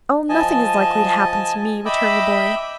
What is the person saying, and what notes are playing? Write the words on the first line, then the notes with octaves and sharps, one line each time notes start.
'Oh, nothing is likely to happen to me,' returned the boy.
F3 D#5 G#5 A5
D#5 E5 G5 B5 D6 E6